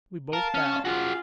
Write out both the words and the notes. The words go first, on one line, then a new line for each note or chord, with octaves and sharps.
We both bowed.
A#4 F5 A5
C#4
F4 F#4 G#4